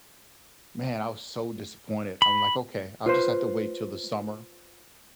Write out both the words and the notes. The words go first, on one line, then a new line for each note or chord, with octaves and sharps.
man, I was so disappointed, I'm, like, "Okay, I'll just have to wait till the summer
B5
F4 B4 C5